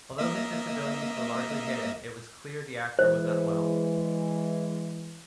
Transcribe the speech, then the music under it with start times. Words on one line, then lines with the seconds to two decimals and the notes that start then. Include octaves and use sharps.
Although his disabilities were largely hidden, it was clear the actor was unwell.
0.18 A#3 D#5 E5
2.99 E3 G#3 C5